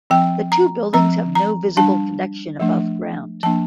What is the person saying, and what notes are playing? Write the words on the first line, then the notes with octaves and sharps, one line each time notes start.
The two buildings have no visible connection above ground.
F3 C4 G5
A#5
F3 C4 A#5
A#5
G3 D4 A5
F3 A3 D4
F3 A#3 D4 A5